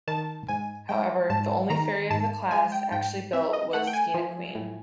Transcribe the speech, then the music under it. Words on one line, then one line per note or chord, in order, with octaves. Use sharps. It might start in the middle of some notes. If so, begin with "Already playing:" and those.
However, the only ferry of the class actually built was "Skeena Queen".
D#3 A5
G#2 G#5
G#3 G5
G#2 A5
D#3 A#5
G#2 A5
G#3 G#5
G5
G#2 G5
C4 E5
D#5
A3 F#5
G5
G#5
F3
A2